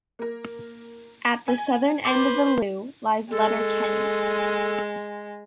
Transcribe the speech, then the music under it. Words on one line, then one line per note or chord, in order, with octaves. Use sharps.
At the southern end of the lough lies Letterkenny.
A#3 A#4
G#5
B4 C5 D6 A6
G#3 A4